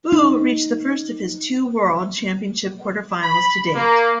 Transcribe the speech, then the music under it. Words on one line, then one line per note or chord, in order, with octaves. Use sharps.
Fu reached the first of his two World Championship quarter-finals to date.
D#4
B5
A#3